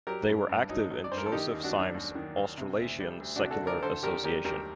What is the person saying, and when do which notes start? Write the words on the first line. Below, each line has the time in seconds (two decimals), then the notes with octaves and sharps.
They were active in Joseph Symes's Australasian Secular Association.
0.07 F#3 G4 A#4
0.29 G2
0.49 G2
0.69 F#3 D#4
0.91 F#3
1.04 D5
1.12 G2 C5
1.18 A#4
1.26 A4
1.32 D#3 D#4 G4
1.54 D#2
1.64 D4 F#4
1.74 F#3 D4
1.95 D#2
2.15 D#3
2.36 D#2
2.57 C3
2.79 D2
3.00 G3
3.20 D2
3.36 D4 F#4
3.41 C3
3.51 F#4 A4
3.62 D2
3.67 A#4 D5
3.82 D3 A4 C5
4.03 D#2 G4 A#4
4.24 F#3 G4 A#4
4.45 D#2 G4 A#4